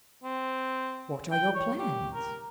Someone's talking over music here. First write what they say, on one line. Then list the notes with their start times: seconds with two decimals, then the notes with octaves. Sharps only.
What are your plans?
0.24 C4
1.32 G5
1.55 C#5
1.79 G4
2.14 A#4